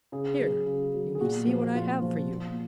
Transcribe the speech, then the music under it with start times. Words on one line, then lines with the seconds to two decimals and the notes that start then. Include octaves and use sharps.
"Here you may see what I have for you."
0.12 C#3 G#4
0.39 F#3
0.66 C#3
0.94 F#3
1.15 G#4
1.21 A#2 F#4
1.47 F3
1.75 A#2 F4
2.02 F3
2.29 A#2